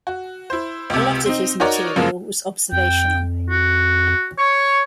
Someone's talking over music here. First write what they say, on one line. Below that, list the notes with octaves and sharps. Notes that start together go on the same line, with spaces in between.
A lot of his material was observational.
F#4
E4 C5
C#2 C3
C4 D#4
D#4 F#4 A#4 C#5 D5
F#2 C#3 F3 G#3 A#3
F2 G5
F#4
C#5 C#6